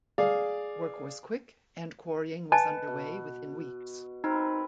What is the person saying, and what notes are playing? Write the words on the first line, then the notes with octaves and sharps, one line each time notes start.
Work was quick and quarrying was underway within weeks.
G#4 D5 F5
B4 D#5 G#5 A5
B2
C4 D#4 A#4 B4